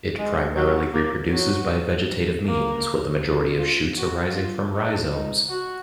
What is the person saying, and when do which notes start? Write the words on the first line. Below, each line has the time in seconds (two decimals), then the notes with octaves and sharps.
It primarily reproduces by vegetative means, with the majority of shoots arising from rhizomes.
0.18 G#3
0.56 F#3
0.93 A#3
1.32 F#3
2.46 A#3
3.59 F4
3.98 F#4
4.35 F4
4.74 D#4
5.11 D#4
5.49 F#4